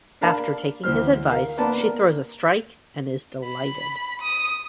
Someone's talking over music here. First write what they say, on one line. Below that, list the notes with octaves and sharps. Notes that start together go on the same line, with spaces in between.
After taking his advice, she throws a strike and is delighted.
D4 A#4 F5 A5 B5
D2 E3 C5 F6
A#4 F5
A#3 B3 D5 A5
A#4
B5
D#6